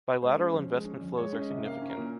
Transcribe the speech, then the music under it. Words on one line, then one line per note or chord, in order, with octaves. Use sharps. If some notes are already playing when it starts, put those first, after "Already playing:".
Bilateral investment flows are significant.
G#3 C5
C#4
F2
G#3
C#4
F2
G#3 C#5
C#4
D#5
C3
A#3 F5
C#4
A#4
A#2